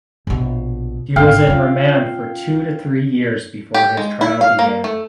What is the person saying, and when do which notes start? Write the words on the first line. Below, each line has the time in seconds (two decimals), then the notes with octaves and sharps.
He was in remand for two to three years before his trial began.
0.27 A#1 B2
1.16 G#1 D4 F5 G5
1.47 C#4 F4
3.74 G4
3.97 G#3
4.21 E4
4.41 F5
4.59 A#3
4.84 A3